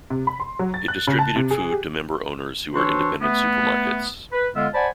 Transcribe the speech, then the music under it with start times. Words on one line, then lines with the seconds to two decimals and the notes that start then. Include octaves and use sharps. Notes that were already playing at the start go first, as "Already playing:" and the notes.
It distributed food to member owners who are independent supermarkets.
0.10 C3
0.27 B5
0.40 C6
0.59 F#3
0.74 A6
0.88 F#6
1.07 C#3
1.19 A5
1.36 C3
1.51 G#4
1.72 G4
2.75 E3 D4 F#4 A4 C5 C#5
3.21 A3 B3
4.33 B4
4.56 D3 G#3 B3 F4 E5 F5
4.74 C5 D5 F#5 G#5 A5 B5